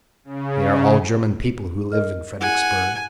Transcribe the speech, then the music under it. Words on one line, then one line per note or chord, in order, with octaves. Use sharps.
They are all German people who live in Fredericksburg.
C#3
A#4 D#5 F6
E4 G#4 F#5 G#5